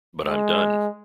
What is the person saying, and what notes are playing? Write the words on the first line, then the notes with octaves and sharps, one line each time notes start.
But I'm done.
G#3